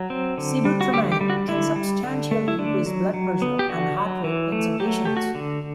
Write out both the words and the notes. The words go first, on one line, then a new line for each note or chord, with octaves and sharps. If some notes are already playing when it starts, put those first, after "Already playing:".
Sibutramine can substantially increase blood pressure and heart rate in some patients.
Already playing: F#3
C4
D3
G3
F#4
D3 G4
G4
G3
F#4
D3 E4
G3
D3
A3
E4
D3 D4
F#3
F#3
B3
G4
D3 F#4
F#3
E3
A3
F#3 G4
A3 G4
F#4
D3